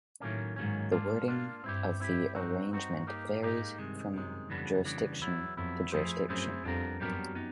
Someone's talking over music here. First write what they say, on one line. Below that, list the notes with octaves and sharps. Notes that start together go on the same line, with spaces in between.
The wording of the arraignment varies from jurisdiction to jurisdiction.
A2 D#3 F#3 A#3 C#4
G#2 D#3 F#3 A#3 C#4
A#3 D4 F4
A#3 D4 F4
G2 C4 E4 G4
C4 E4 G4
G2 C4 D#4 F#4
C4 D#4 F#4
A#3 D#4 G4
G#2 A#3 D#4 G4
G2 C3 D#3 G#3
F#2 C3 D#3 G#3
F2 C#3 E3 G3 B3 D4
C#3 E3 G3 B3 D4
E2 F#3 B3 E4
F2 F#3 B3 E4
F2 A3 C4 E4 G#4 C5
F#2 A3 C4 E4 G#4 C5
F2 G3 B3 D4 G4 A#4
F#2 G3 B3 D4 G4 A#4
B3 D#4 G4